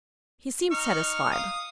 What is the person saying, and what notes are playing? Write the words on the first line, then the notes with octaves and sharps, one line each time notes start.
He seemed satisfied.
D#4 C#6 F6
F5 D#6